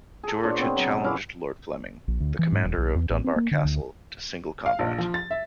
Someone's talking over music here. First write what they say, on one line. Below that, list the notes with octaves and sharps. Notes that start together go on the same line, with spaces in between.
George had challenged Lord Fleming, the commander of Dunbar Castle, to single combat.
G#4 A4
A#2 D4 C5 C#5
B3 C4
F#3
B2
C#4 E4 F5 D6
A#1
D2
E3
G#2
D#1
B1
E2
A1
C4
A#3
D3
D2
F5
A#1
F3
A6
E5